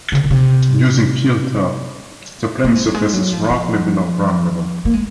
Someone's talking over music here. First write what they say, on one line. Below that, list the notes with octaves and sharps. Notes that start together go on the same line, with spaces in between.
Using FieldTurf, the playing surface is roughly below ground level.
C#3
C#3
C3
A#3
G#3
F#3
G#3
F#3
F3
D#3
F3
A#3
G#3